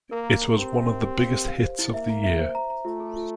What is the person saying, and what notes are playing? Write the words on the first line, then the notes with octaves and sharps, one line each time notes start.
It was one of the biggest hits of the year.
A#3 A#4
A#5
A#5
C4 G4
E5
A#4
G4
F5
G4
F5
C5
E4
A#3 E5
A#5
E5
C5
A#5
A#5
A3 F4
A4
F4